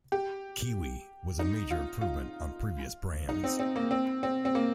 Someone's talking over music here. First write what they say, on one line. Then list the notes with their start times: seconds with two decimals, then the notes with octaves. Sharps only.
Kiwi was a major improvement on previous brands.
0.12 G4
1.39 D#4
1.71 F4
2.01 F4
3.29 D#4
3.44 C4
3.59 C4
3.76 A#3
3.91 C4
4.23 C4
4.45 C4
4.55 A#3